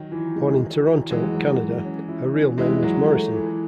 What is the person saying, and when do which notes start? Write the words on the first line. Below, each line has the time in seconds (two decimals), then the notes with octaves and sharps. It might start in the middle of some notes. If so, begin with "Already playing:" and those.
Born in Toronto, Canada, her real name was Morrison.
Already playing: D#3 F#3
0.12 E3
0.36 G#3
0.61 E3
0.85 E3
1.10 E3 F#3 G#3
1.35 F#3
1.60 F#3
1.85 C#4
2.08 E4
2.34 C#4
2.58 E3 G#3 E4
2.83 F#3
3.07 A3
3.33 E3